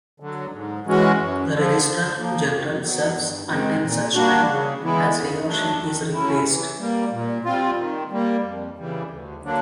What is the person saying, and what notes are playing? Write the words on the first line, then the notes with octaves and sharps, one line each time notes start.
The Registrar General serves until such time as he or she is replaced.
D3 F#3
G#2
E3 G#3 C#4 F#4
F#2
D3 F3
D3
F3 A#3
D#3
F#3 B3
G2
D#3 G#3 C4
A#2
G3 A#3 D4 F#4
C#3
E3 G#3 B3 E4
C#3
F#3 A3 D4
D#3
F#3 A3 C#4 E4
E3
G3 A#3
A#2
G3 C4 F4
D#3
G3 A#3
F2
C#3 E3 G3
D2
D3 F#3 A#3 D4